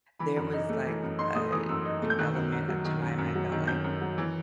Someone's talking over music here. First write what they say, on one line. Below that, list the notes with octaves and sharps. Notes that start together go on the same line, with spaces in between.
there was, like, a an element of time I felt like
E3 B5
F#2
D#4
A3
E3
F#2
D#4 C6
A3 D#6
E3 D#6
F#2 E6
D#4
A3
G6
D#3 F#6
F#2
F#2
F#3
D#3
F#2
F#2
F#3
D#3
F#2 G6
F#2
F#3
E3